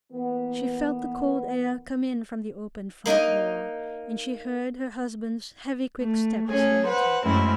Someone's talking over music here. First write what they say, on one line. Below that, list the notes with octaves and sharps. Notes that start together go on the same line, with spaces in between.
She felt the cold air come in from the opened front door, and she heard her husband's heavy, quick step as he entered.
E3 A#3 B3
A#3 D#4 A#4 D#5
A3
A3 C#4 G#4
B4 C5 F#5
F#2 G#3 A3 C4 C#4 E4